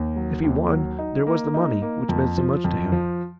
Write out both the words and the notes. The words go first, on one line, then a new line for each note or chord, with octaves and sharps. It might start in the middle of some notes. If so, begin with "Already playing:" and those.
If he won, there was the money, which meant so much to him.
Already playing: D#2
F#3
D#2
F#3
D#4
A#3
D#4
A#3
F2
F3
F2
F3